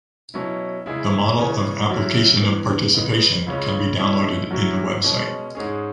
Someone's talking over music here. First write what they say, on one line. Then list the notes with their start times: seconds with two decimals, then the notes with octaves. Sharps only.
The model of application of participation can be downloaded in the website.
0.34 B2 F#3 C#4 E4
0.86 C#3 G#3 E4 G#4
1.39 C#3 E3 C#4
1.90 F#2 F#3 E4
2.42 E2 E3 B3
2.94 C#3 G#3 B3
3.46 C#2 C#3 G#3 C#4
3.99 B2 G#3 C#4 E4
4.51 F#2 F#3 C#4 E4
5.03 B2 G#3 C#4
5.55 G#2 G#3 C#4 G#4